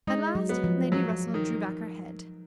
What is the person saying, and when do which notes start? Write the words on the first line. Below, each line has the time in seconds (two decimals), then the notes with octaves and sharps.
At last, Lady Russell drew back her head.
0.07 G#3 D#4
0.35 F#3
0.49 B3
0.64 F3
0.92 F#3
1.34 D#3